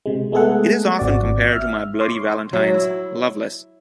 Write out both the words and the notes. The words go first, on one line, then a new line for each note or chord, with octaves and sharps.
It is often compared to My Bloody Valentine's "Loveless".
C3 G#3
G#3 A3 B3 G#4 A4 F#5
G#1 C4 F#4 D5
E5 F6
C#5 C6 D6
F#3
E4